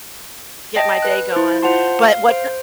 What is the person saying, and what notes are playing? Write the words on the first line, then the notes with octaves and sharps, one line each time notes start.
get my day going. But what, uh
D#5 G5 A5
B4 F#6
E4 C5
F4 C5 F#5 A5 C6
F5
C5